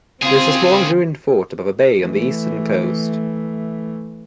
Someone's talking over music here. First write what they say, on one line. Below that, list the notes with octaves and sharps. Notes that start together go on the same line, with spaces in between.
There is a small ruined fort above a bay on the eastern coast.
C#2 C4 F4 G#4
E3 A3